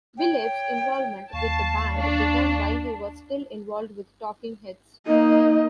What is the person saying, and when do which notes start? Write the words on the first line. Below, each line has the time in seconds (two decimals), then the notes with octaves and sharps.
Belew's involvement with the band began while he was still involved with Talking Heads.
0.16 C#5 G5
1.33 D#2 F5 A5 C#6
1.96 D4
5.07 A#3 D#4 D#5